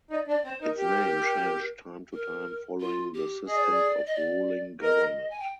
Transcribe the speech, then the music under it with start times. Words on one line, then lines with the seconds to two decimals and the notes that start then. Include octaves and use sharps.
Its name changed time to time following the systems of ruling government.
0.11 D#4 D5
0.27 D4 D5
0.44 C4 C5
0.62 D#4 A#4
0.78 G4
2.13 A#4
2.80 F4
3.14 G4
3.47 G#4 D#5
3.55 D5
3.63 C5
3.70 D5
4.06 D#5
4.15 D5
4.82 A#4 D#5
5.30 G#5
5.40 G5